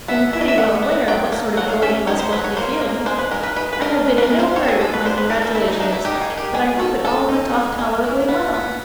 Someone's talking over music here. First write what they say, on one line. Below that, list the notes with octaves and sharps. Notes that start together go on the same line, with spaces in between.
Being pretty well aware of what sort of joy you must both be feeling, I have been in no hurry with my congratulations; but I hope it all went off tolerably well.
B3 E5
E3 E5
D#5
E5
E3 F#5
B3
F#3 G5
A#3
F#3 F#5
F5
C#4 E5
D#4 C#5
C5
F#3 B4
C#5
A#3 C5
A#3
G#3 C5
B4
G#3 A#4
B4
G#3 B4
B4
D#4 A#4
G#3
B4
A#4
G#3
C5
C4 C#5
A4
G#4
G#3 A4
B4
D4 C5
B4
E3 A#4
A4
E3 E4
D#4
D4 D#4
E4
D#4 G4
G#4
D#3
G4
G#3 G#4
D#3 A4
G#3 A4
D#4
G#3
G#3
E3
B3
B3